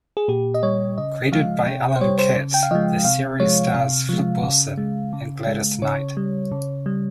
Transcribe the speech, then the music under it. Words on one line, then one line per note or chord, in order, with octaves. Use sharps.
Created by Allan Katz, the series stars Flip Wilson and Gladys Knight.
G#4
A#2 G4
D#5
G3 C#5
C#3 D#5
F3 G#3 F5
C3 G5
C5
G3 C#5
C5
C#3
G5
F5
F3 G#3 D#5
C3 F5
F3 G#3 C#5
C3 F5
F3 G#3
C#3
G#3
C#3
G#3
C#3 C#5
G3
C#3
G3